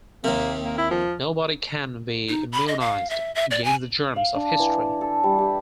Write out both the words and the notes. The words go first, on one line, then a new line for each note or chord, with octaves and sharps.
Nobody can be immunized against the germs of history.
D#2 C3 A#3
A#3
E4
F3
D#4
B5
D#5
F5
E5
E5
D5
G#5
F5
D4
E3
A4
G3
G4